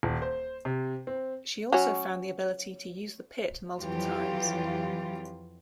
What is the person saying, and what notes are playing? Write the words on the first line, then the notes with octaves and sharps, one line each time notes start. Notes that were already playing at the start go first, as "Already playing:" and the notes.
She also found the ability to use the pit multiple times.
D#1
C5
C3
C4
F#3 C#4
F2 E3 F#3 F4 G4